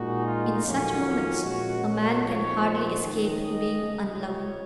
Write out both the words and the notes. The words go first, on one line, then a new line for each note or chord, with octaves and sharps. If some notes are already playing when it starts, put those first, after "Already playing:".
In such moments a man can hardly escape being unloving.
Already playing: A#2 G#3 D#4 F#4
F4
F2 D#3 F#3 A#3 C#4
F4
A#2 G#3 C#4 F#4
F#4
A#2 F3 C4 D#4 C#5
C5
D#2 D#3 G#3 C#4 D#5
C#2 C3 F3
C#5